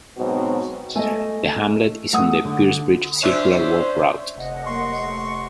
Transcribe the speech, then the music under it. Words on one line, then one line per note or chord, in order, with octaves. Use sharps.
The hamlet is on the Piercebridge Circular Walk route.
G#2 B2 F#3 C4 F#4
A3 D#5 F5 G#5
A3 F#5 D#6
D3
C#4 D4 C5 E5
F1 D#5 F#5
F#3 A#3 C6 C#6
A3